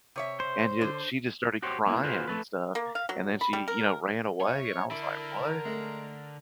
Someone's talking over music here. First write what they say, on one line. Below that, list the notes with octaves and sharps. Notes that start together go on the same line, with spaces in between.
and ju she just started crying and stuff, and then she, you know, ran away, and I was like, "What?"
C3 C#5 E5
C5
D3
F#4 G4 C5 C#5
A#3 B3 E4
F4 F#4 G#4 B4 C5
A3 A4 B4
A#3
F5
F#3
B5
G3
A#4
C#5 E5
D3 E4 A#4 A#5
G#3 A3